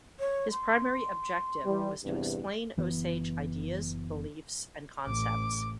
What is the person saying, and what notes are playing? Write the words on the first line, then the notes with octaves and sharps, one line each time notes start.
His primary objective was to explain Osage ideas, beliefs, and concepts.
C#5
C6
E3 G3
E2 G2 C3
F#1 E3 B3
A1 D6